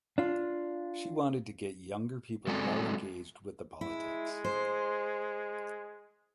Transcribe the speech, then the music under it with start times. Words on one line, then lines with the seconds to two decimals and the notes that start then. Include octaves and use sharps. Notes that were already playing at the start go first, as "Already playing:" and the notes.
She wanted to get younger people more engaged with the politics.
0.18 D4 F4
2.47 F#3 G#3 C4 A4 D5
3.81 G#3 E4
4.44 C5